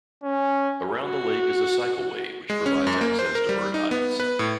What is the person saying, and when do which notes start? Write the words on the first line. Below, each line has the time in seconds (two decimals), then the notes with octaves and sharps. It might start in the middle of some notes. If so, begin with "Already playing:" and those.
Around the lake is a cycle way which provides access to bird hides.
0.23 C#4
1.02 F#4
2.50 G#3
2.66 C#4
2.87 F#2
3.01 A#3
3.19 C5
3.35 A#4
3.49 G3
3.74 D#4
3.91 B3
4.20 B4
4.39 A2